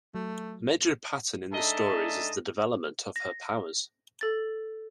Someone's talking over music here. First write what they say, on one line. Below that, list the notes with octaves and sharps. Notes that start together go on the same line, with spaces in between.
A major pattern in the stories is the development of her powers.
F#3 A3
G#2 D4 A4 D#5 E5 A5
A#6
A4 A6